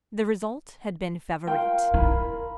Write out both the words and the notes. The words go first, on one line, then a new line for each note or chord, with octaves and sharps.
The result had been Favourite.
F4 A#4 F5 G5
E4 A#5 B5